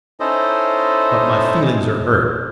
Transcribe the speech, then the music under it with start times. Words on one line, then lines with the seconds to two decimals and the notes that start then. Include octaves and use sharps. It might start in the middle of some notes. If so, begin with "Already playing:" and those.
But my feelings are hurt.
0.20 C#4 D#4 E4 A4 C5 D#5